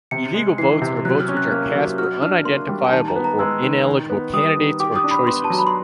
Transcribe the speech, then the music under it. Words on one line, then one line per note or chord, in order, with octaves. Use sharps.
Illegal votes are votes which are cast for unidentifiable or ineligible candidates or choices.
C3 C#7
G#3
E3 C7
C3
F#3 F#6
F6
C#4
F#6
A#3 F6
F#3
F#4 F6
D4 F6
A#3 C6
G3
G#5
D#3 A5
A#5
B3
A#5
G#3 E6
D#3
D#3
B3
G3 D#6
D#3
G4 D6
D#6
D4
B5
B3 C6
A5
F#3 A#5
B5
C6